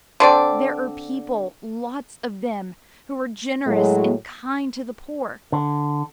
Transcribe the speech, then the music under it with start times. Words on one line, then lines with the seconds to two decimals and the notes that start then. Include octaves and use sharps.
There are people, lots of them, who are generous and kind to the poor.
0.20 D3 C4 D5
3.67 A2 F#3 G#3
5.52 D3